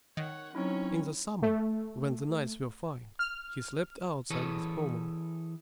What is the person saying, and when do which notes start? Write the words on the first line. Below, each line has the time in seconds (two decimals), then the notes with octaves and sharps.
In the summer, when the nights were fine, he slept outside with Homo.
0.17 D#3 C#5 F#5
0.55 F#3 C4 C#4 D#4 E4 C#5
1.43 A3
3.19 F6
4.30 E3 E4 G#4 A4 B4 C#5